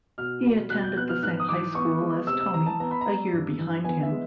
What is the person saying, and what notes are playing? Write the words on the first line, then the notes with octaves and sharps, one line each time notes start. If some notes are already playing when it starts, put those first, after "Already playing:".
He attended the same high school as Tony, a year behind him.
B2 F6
G3
B2 F#6
G6
B3 F#6
F6
G#2 F#6
D#6
E3 D6
B3 C#6
G#3
C3 E6
E6
E3 A#5
A5
B3 A#5
B5
A#5
G3
G2
E3
B3 G#5
E5
G#3